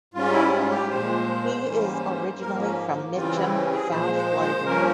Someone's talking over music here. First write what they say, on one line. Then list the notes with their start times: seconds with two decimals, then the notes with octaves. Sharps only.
He is originally from Mitcham, South London.
0.14 G#2 G3 C#4 F4
0.32 E4
0.52 F4
0.70 G4
0.89 A#2 F3 G#3 C5
1.64 G#2 E3 G3 A#3 C#4
2.39 G#2 F3 A#3 A#4
2.59 C#4
3.15 C#3 E3 G3 C4 F4
3.34 E4
3.53 C#4
3.71 G#4
3.90 A#2 F3 G#3 C5
4.15 C5
4.41 C5
4.65 G2 F3 A#3 C#4 A#4